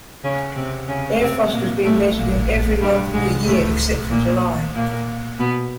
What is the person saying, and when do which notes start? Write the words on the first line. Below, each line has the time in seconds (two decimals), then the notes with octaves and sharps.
Air frost has been measured in every month of the year except for July.
0.24 C#3 C#4
0.55 C3 C4
0.88 C#3 C#4
1.20 C3 C4
1.52 A#2 A#3
1.85 A2 A3
2.17 A#2 A#3
2.81 G2 G3
3.13 G#2 G#3
3.46 A2 A3
4.10 A#2 A#3
4.75 A#2 A#3
5.39 B2 B3